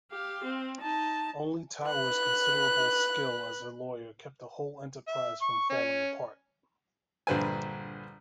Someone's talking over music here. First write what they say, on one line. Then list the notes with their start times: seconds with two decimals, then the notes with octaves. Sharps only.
Only Tower's considerable skill as a lawyer kept the whole enterprise from falling apart.
0.11 G4 F5
0.44 C4
0.81 D#4 A5
1.87 B4 F#6
5.07 E5
5.42 C#6
5.70 C#4
7.27 A#1 G2 D3 B4 C5 G#5